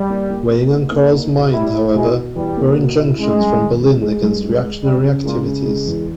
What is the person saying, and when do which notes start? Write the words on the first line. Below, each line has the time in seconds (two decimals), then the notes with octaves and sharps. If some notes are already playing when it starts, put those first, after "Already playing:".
Weighing on Kahr's mind however, were injunctions from Berlin against reactionary activities.
Already playing: G3
0.10 A#3
0.30 A#3
0.51 A#3
0.72 D#4
0.92 A#3
1.12 D#4
1.34 B2
1.54 G3 E4
1.75 E4
1.95 B2 G#3
2.16 B2
2.36 E2 G3
2.57 A#3
2.78 B2
2.98 E4
3.19 G#3 C#4
3.40 G2
3.60 D#3
3.81 G#3
4.02 G#3
4.21 G2
4.43 G#3
4.63 G#3
4.83 C#3 G3
5.04 C#3
5.24 A#2 G#3
5.45 C#3
5.65 G#3
5.87 E2